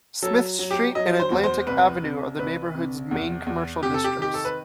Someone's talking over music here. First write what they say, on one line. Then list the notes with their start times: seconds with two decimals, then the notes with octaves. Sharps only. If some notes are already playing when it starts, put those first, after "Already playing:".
Smith Street and Atlantic Avenue are the neighborhood's main commercial districts.
0.22 F#3 A4
0.59 F#3
0.71 G4
0.95 F#3 D#5
1.20 C5
1.31 E2
1.43 C5
1.67 C2 B4
2.03 C3
2.39 C2 B4
2.75 C3
3.11 E2
3.46 E2
3.83 C3 G4
3.94 A4
4.04 G4
4.18 D#3 G4
4.34 A4
4.45 B4